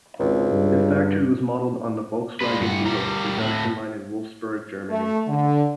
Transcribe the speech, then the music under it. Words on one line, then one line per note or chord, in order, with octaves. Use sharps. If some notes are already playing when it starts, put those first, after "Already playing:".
The factory was modeled on the Volkswagen Beetle production line in Wolfsburg, Germany.
G#1 C#2
G2
G#3 B4
G2 F#5
G3 A#4
A2 F#4
A3
D3